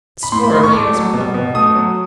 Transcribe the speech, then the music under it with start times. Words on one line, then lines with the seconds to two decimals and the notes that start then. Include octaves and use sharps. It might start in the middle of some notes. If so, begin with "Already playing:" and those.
A score of years are blown away.
0.23 B5
0.32 A2 C6
0.43 B5
0.53 A2 C6
0.63 C#6
0.73 A3 D6
0.93 F#3
1.14 B2
1.34 B2
1.55 A3 D#6
1.75 F#3